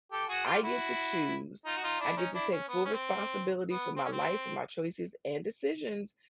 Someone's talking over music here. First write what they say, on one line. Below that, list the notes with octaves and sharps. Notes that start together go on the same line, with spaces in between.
I get to choose, I get to take full responsibility for my life, for my choices and decisions,
G4 A4
F#4 G#4
F4 G4
E4 F#4
D#4 F4
F#4
D#4 F4
D4 E4
C#4 D#4
D4 E4
C#4
B3
C#4
C4
B3
C4
C#4
C4